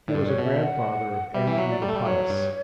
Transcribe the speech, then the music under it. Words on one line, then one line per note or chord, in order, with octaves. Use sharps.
He was a grandfather of Andrew the Pious.
A2 D5
G2
C#5
B2
E5
F#5
G3 E5
E3 E5
F#3
D5
G3
A3 A4
G3
F#3 C#5
G2